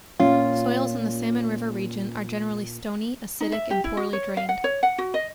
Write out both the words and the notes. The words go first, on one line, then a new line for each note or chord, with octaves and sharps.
Soils in the Salmon River region are generally stony, acidic, and poorly drained.
A#2 C#4 F4
D#4
E5
G4
E4
F#4
C#5
F5
F#5
C#5
F#5
F#4
D#5